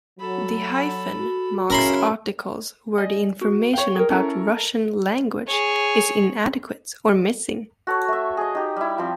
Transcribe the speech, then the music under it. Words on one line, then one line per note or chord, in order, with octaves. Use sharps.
The "-" marks articles where the information about Russian language is inadequate or missing.
F#3 A4 B5
F#4
F#2 C#3 C#4 E4 A#4 B5 C6
D5 D#5 G#5
F#4
C#5 F5 G5
G#4 A#4
C#4 E4 A4 A#4
G#4 C#5
F#4 A4 C#5
A3 E5
G#4 D#5
D#4 G4
G3 E4
F3 C4